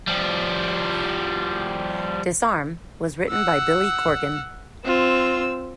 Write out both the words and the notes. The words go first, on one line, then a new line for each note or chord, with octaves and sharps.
"Disarm" was written by Billy Corgan.
F3 G3
F#5 E6
C4 F4 E6